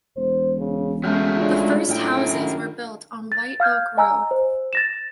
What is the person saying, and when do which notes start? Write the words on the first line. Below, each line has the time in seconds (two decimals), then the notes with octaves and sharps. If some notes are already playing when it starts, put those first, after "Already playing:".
The first houses were built on White Oak Road.
0.17 E1 C5
0.58 C#3
1.04 C#3 F#3 G#3 A3 C#4 F6 G6
1.37 C#3 D4 F4
1.89 F#2 A2 G5
2.33 D#3
3.32 A6
3.60 F5 F6 G6 G#6
3.97 D#5 G#5 A#5 E6
4.31 C5
4.73 A6 A#6 E7